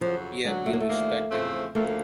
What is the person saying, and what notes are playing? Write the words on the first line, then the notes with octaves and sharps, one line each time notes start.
Yet we respect them.
F2 C#3 F3 F#3
D2 D3 F#3 G#3
A3
A#3
A3
D#2 D3 F3 A#3
E2 C#3 F3 A3 C4
D2 C#3 F3 A3 A#3